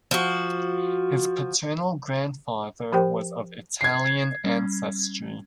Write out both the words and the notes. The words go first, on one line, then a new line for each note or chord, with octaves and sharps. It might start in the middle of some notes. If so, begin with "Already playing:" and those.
His paternal grandfather was of Italian ancestry.
F3 F#4
F3 G4 A#4 C5 G5
G#6 C7
G3 C#4